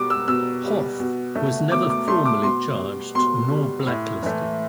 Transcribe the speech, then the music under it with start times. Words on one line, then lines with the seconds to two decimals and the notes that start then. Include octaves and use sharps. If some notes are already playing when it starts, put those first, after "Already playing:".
Hoff was never formally charged, nor blacklisted.
Already playing: B2 G3 D6
0.10 E6
0.28 B2 E6
0.64 G3
1.00 B2
1.35 A3
1.71 B2 D6
1.90 D6
2.08 A3 C6
2.25 D6
2.43 B2 C6
2.79 G3
3.15 B2 C6
3.51 G3
3.87 A2
4.23 E3 A3